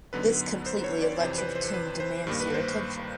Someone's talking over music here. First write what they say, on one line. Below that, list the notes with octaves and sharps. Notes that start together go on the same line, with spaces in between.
This completely electric tune demands your attention!
F#2 D3 F#3 B3 D#4 B4
C5
C#5
D5
F2 C3 E3 C5
B4
C5
B4
C5
G2 D#3 G3 A#3
B4
C5